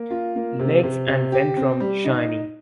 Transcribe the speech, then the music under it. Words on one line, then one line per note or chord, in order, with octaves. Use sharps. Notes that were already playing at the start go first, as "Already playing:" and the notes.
Legs and ventrum shiny.
Already playing: A#3
F4
A#3
C3
C3
C3
G4
C4
G3
D#4